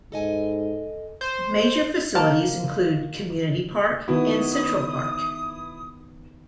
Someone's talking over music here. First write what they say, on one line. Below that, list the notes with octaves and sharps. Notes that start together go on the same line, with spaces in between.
Major facilities include Community Park, and Central Park.
G#2 A4 D#5 G#5
C5
A#3 A5
D#3 B3 E4 F#4 D#6